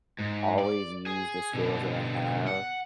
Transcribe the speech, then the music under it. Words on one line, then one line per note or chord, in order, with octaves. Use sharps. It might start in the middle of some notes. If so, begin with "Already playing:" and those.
Always use the skills that I have
G#2
D5
G#4
B2 D3
F#5